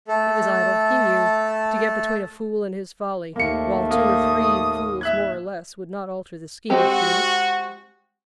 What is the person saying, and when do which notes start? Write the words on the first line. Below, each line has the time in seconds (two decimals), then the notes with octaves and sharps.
It was idle, he knew, to get between a fool and his folly; while two or three fools more or less would not alter the scheme of things.
0.08 A3 A4
3.36 D#2 A2 A3 A#3 C#7
3.91 A#3 D#6
5.01 E5 F#6 G#6
6.70 G#3 C4 F#4 G4